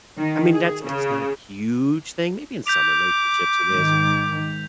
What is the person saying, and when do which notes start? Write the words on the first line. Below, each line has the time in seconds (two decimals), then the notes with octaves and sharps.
I mean that's it's not a huge thing, maybe in some relationships it is
0.18 D#3
0.52 G#4
0.84 C#3
2.67 D6 G6 B6 F7
3.70 G#2 D#3